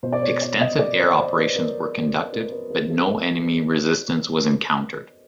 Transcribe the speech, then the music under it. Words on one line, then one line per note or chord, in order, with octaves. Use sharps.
Extensive air operations were conducted, but no enemy resistance was encountered.
B2 C5
D5
C#5
D5
D#5
D5
C5
D5
B4
A#4
A#4
B4
A#4
A4